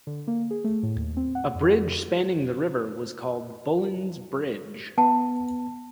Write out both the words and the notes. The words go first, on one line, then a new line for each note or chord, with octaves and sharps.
A bridge spanning the river was called "Bullen's Bridge.".
D3
A#3
G#4
A3
A2
D#2
C4
F#5
F2
B3 F#5 A5